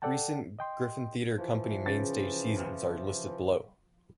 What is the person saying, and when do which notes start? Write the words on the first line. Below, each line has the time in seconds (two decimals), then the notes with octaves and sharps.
Recent Griffin Theatre Company mainstage seasons are listed below.
0.02 A4 D5 F#5 G5 A5
0.59 D#5 G5 C6
1.39 E3 F3
1.86 C#3 A6